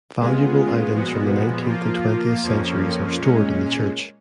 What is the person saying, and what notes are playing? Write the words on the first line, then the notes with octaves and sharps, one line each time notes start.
Valuable items from the nineteenth and twentieth centuries are stored in the church.
C#3 G#3 B3 F4 G#4
A#2 F3 G#3 B3 F#4
F3 A#3 F4
F2 F3 A#3 C#4
A#2 G#3 C#4